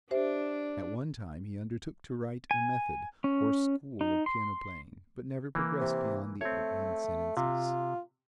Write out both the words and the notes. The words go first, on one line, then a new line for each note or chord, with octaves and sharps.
At one time he undertook to write a method or school of piano-playing, but never progressed beyond the opening sentences.
D4 G4 C5 E5
G#5
C#4
D#4
C6
E3 A#3
C3
A3 C4 C#5
C3 F4